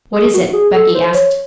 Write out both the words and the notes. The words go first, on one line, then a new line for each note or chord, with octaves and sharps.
'What is it?' Becky asked.
G#4
F#4
G#4
A4
C5
C5
C#5